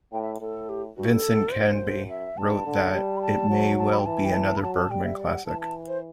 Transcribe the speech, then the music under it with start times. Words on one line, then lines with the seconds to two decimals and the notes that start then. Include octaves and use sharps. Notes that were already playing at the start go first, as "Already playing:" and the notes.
Vincent Canby wrote that it may well be another Bergman classic.
0.12 A2 G5
0.22 E5
0.41 A2 A4
0.69 G4
0.97 G2 F#4
1.12 A4
1.24 F#2
1.53 F#2 C5
2.09 E5
2.37 G2 A5
2.66 D3
2.94 G3
3.17 B5
3.22 A5
3.49 F#3
3.78 A5
3.92 B5
3.99 G5
4.06 E3 A5
4.24 G5
4.34 A5
4.57 B5
4.62 F#3 A5
4.76 A5
4.90 G3 G5
5.04 E5
5.18 D5
5.33 F#5
5.46 E3 A5
5.61 A5
5.88 C5